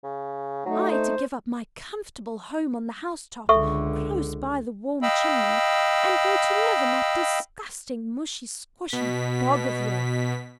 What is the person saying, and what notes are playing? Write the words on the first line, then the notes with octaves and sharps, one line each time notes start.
I to give up my comfortable home on the house-top, close by the warm chimney, and go to live in that disgusting mushy-squshy bog of yours!
C#3
F#3 A3 D#4
C5
C#2 D3 A4 E5 C#6
D#5 F5 G5 B5 E6
B2 B6